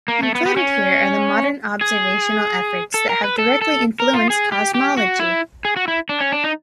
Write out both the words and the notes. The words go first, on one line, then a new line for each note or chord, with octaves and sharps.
Included here are the modern observational efforts that have directly influenced cosmology.
A#3
A3
B3
B3
C#4
G#4
A4
A#4
B4
A4
A4
A#4
F4
G#4
G4
G4
F#4
E4
G#4
F#4
E4
D4
C#4
D4
D#4